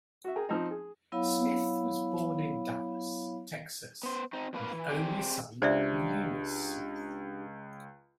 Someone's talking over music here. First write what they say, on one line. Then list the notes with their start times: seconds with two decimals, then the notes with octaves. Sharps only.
Smith was born in Dallas, Texas and the only son of Eunice Smith.
0.24 F#4 E5
0.36 G#4 A#4 G5 G#5
0.49 F3 C4 D#4
0.71 G#4
1.12 F#3 B3 E4 C#5 F5 B5
4.03 B3 C5
4.33 C4 D#4
4.53 F2 A#3 B4 F5
4.73 E3
4.89 C4 G4 G#4 D5
5.62 C#2 D4 G4 C5 D5 E5